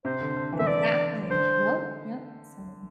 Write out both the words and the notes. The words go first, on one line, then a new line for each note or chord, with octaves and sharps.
Exactly, yep, yep so
C3 C5
D3
D3
E3
D3 E5
E3 D5
D3 C5